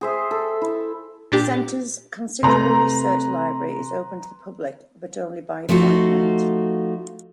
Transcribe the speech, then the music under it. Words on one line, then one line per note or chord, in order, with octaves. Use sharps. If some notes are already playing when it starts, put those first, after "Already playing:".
The Centre's considerable research library is open to the public, but only by appointment.
G#4 C5 E5
A4
E4
A#2 D4 G4
C3 A3 B4 A#5 C6
F3 A3 D#4 F4 F#4